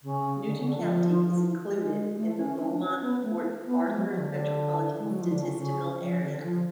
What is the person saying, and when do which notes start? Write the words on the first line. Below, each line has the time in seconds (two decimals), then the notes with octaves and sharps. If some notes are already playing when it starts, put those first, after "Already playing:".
Newton County is included in the Beaumont-Port Arthur Metropolitan Statistical Area.
0.03 C#3
0.45 D3
0.56 C#3
0.67 D3
0.78 F3
1.73 G#3
2.16 A3
2.37 C#4
2.58 D4
2.80 C#4
3.01 B3
3.23 A3
3.65 B3
3.87 G#3
3.97 F#3
4.08 F#3
4.18 D3
4.30 D3
4.98 G#3
5.10 F#3
5.21 F3
5.31 D3
5.42 C#3
5.58 C#3
6.00 F3
6.20 D3
6.42 F3